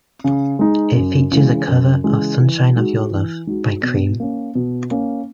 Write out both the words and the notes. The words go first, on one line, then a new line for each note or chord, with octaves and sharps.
It features a cover of "Sunshine Of Your Love" by Cream.
C#3
G#3 D#4
F#2
C#3 E3 G#3
F#2
C#3 E3 G#3
E3
G#3 D#4 F#4
E3
G#3 D#4 F#4
B2
A#3 C#4
B2
A#3 C#4